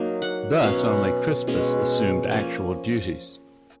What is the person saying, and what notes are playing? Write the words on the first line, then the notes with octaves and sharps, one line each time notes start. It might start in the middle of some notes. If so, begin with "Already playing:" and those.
Thus only Crispus assumed actual duties.
Already playing: F#3 A#3 D#4
F#5
B2 F#3 C#4 F5
B2 G#3 C#4
F3 A#3 C#4 G#5